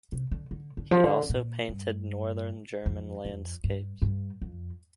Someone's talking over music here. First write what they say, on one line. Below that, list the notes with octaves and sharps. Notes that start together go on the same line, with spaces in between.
He also painted northern German landscapes.
C3
D3
D3
D3
F3
D3
A#2
G2
F2
F2
G2
G2
F2